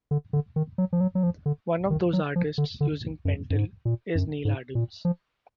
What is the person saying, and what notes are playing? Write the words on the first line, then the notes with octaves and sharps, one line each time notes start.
One of those artists using Pentel is Neal Adams.
D3
D3
D#3
F#3
F3
F#3
F#3
F3
D3
D#3
F#3
F3
D3
D3
F#2
F#2
G#2
A#2
F#2
G#2
A#2
F3